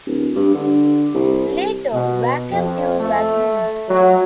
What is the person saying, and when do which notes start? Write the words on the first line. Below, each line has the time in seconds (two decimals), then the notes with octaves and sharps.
Later, vacuum tubes were used.
0.06 D1
0.35 G2
0.55 D3
1.14 C2
1.93 B2
2.50 F2
3.00 A3
3.89 F#3